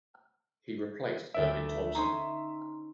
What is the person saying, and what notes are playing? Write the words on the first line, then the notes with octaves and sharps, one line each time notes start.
He replaced Ervin Thomson.
D2 D4 E5 D7
C#4 D#4 C5 A#5 C6